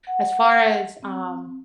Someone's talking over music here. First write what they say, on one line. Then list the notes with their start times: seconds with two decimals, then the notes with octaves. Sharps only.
as far as, um,
0.07 F#5
1.03 C4